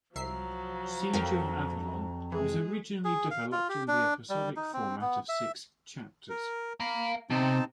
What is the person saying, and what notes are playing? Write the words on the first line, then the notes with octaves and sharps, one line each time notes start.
"Siege of Avalon" was originally developed in the episodic format of six "chapters".
C2 F3 F#3 E5 A#5 C7
F2 A#4 F5 G5
E3 G#3 G#4
G#4
F5
F4
G4
D4
G3
D#4
C4
B3
E5
A#4
F5 A#5 B5
C3 C4 D#4 A5